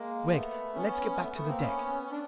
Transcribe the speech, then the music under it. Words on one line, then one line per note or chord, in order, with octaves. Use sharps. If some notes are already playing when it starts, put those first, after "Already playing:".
"Gregg, let's get back to the deck."
Already playing: G#3 A#3
A3 B3
B3 C#4
A3 B3
A3 B3
A#3 C4
B3 C#4
C#4
D4